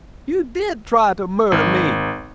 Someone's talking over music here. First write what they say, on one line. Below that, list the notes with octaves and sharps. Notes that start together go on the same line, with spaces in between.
"You did try to murder me!"
G#1